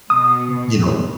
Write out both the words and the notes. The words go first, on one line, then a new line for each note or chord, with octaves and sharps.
n you know
B2 D#6